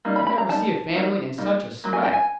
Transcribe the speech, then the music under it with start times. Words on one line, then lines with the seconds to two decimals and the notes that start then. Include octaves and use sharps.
I never see a family in such a sweat.
0.05 G3 A#3 D#4
0.16 B5
0.27 B5
0.38 A#5
0.49 G3 A#3 D#4 A5
0.94 G3 A#3 D#4
1.38 G3 A#3 D#4
1.84 F#3 A#3
1.93 G#5
2.03 G5
2.13 G#5